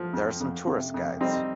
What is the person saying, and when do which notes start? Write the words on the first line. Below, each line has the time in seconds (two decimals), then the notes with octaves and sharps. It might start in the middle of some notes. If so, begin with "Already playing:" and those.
There are some tourist guides.
Already playing: F3
0.13 F2
0.40 F2
0.67 C3
0.94 F2
1.21 G3 C4 D#4